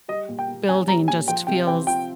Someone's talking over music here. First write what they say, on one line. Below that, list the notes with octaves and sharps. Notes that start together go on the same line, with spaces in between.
building just feels
G3 D#5
A#2
G5
A#3
C#4 G#5
G3 A#5
A#2 G#5
F3 G5
C3 G5
C4 G5
F4 G5